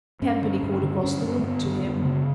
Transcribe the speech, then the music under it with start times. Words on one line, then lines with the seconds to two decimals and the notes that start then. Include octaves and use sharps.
Campany called across the room to him.
0.22 G2 C#4
0.42 D3
0.63 G2
0.83 D3
1.03 G2 C#4
1.24 D3
1.39 A3
1.43 G2 B3
1.65 D3
1.84 F#2
2.05 C#3